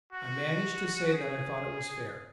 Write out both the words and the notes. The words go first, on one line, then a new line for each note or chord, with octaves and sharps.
I managed to say that I thought it was fair.
F#4
G#4